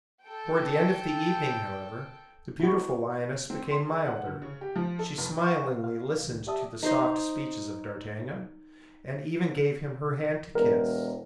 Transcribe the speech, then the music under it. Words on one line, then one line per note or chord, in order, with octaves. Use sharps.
Toward the end of the evening, however, the beautiful lioness became milder; she smilingly listened to the soft speeches of d'Artagnan, and even gave him her hand to kiss.
A4 G5
E4 F#4
C4
C6
G#4
F#5
D3
C#3
G4
F3
A4
F1
F#5 C#6
F5
F5
C2 D#3
G4 D5 E5 A5 D#6
D#4 C5 D#5
E1 A#4